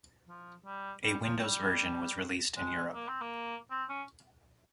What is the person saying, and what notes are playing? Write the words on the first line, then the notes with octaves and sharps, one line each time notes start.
A Windows version was released in Europe.
F3
G3
G3
F3
G3
G#3
A#3
C4
A#3
C4
C#4